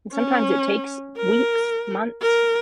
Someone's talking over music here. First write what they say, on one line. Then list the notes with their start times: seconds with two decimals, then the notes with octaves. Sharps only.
and sometimes it takes weeks, months
0.13 C#4
1.17 A#4
2.22 A#4